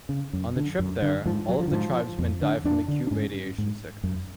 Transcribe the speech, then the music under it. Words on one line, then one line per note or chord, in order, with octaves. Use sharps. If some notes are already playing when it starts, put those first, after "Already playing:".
On the trip there, all of the tribesmen die from acute radiation sickness.
C#3
F#2
D3
F#2
D3
G#2 F3
F#3
F3
D3
G#2 F3
F2
D3
F2 D4
D3
D4
G#2 C#4
G#2
F#2